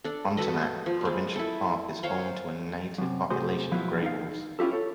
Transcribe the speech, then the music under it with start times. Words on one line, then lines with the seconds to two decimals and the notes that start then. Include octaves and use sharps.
Frontenac Provincial Park is home to a native population of grey wolves.
0.04 D4 A4
0.37 F#4 A4 B4 D#5
0.86 F3
1.01 G3 G#3
1.36 E4 A4
2.03 C5 C#5 F5 G5
2.98 F#2 C3
3.30 C3 A3 F#4 G#4 C5
3.72 B2 F3 F#3 E4 F4
4.03 D#4 F5
4.59 C#4 E4 F4 G4 A4
4.71 A4 C#5